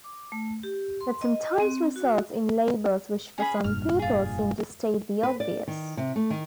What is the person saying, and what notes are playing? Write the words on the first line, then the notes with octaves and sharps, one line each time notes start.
That sometimes results in labels which for some people seem to state the obvious.
D6
A3
G4
C6
D#5
C4
F#4
C#4 G#4 B5
F1 G2 A#2 F6
F4 G#4
B4
D5
D#3
C3
A3
D#3